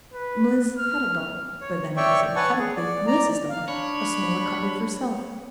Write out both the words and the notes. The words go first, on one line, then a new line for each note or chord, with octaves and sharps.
Mliss had a doll, but then it was emphatically Mliss's doll--a smaller copy of herself.
B4
F6
C#5
C#5 D5 E5 G5 C#6
B4 C#5 F#5 G#5 A5 C#6
G#4
D5
D5 A#5
F5
D4 C#5 B5